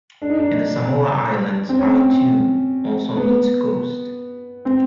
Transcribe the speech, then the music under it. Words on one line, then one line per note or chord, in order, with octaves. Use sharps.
In the Samoa Islands, "aitu" also means ghost.
D4
D#4
D4
C4
C#4
C4
B3
C4